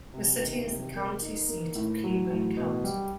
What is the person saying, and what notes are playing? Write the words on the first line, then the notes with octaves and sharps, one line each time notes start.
The city is the county seat of Cleburne County.
C3
D#3
C3
A#3
D#4
A#3
A2
F#3
A2
B2
G3